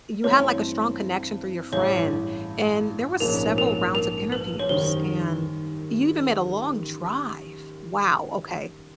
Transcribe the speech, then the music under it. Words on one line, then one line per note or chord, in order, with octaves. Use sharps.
You had, like, a strong connection through your friend, and there were several rounds of interviews, and you even made a long drive! Wow, okay.
G2 E3 A3 C4 C#5
A1 G2 E3 G#3 C#5
A#1 G#2 F3 G#3 C#4 A#4
A#4
A#4
B4
C#5
F#2 D#3 G3 C5